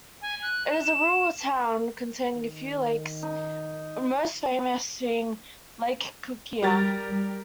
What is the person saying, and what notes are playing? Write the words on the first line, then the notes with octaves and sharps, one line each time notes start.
It is a rural town containing a few lakes, most famous being lake Kukkia.
G#5
F#6
E7
D#3
D#4
G3 G4 A#4 A6